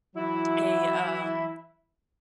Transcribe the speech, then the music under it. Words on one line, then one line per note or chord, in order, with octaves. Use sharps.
a, um
E3 F#3 E4